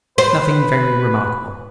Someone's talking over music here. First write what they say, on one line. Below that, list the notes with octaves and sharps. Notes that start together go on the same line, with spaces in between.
Nothing very remarkable.
B4 C5